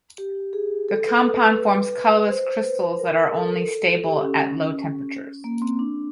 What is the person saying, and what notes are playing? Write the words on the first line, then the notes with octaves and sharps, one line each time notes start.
The compound forms colorless crystals that are only stable at low temperatures.
G4
G#4
A4
B4
B4
B4
C5
B4
A#4
A4
G4
C#4
A#3
C4
D4